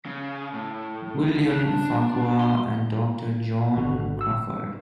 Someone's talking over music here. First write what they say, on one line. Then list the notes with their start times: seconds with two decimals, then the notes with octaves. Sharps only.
William Farquhar and Doctor John Crawfurd.
0.06 C#3
0.53 A2
1.51 D4
2.40 C6
3.77 G#1 D3 F#4
4.21 E6